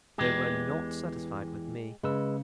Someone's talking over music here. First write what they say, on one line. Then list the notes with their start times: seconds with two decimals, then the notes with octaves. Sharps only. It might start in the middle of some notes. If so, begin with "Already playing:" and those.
They were not satisfied with me.
0.18 E2 E3 G#3 G4
2.03 C#3 G#3 B4 E6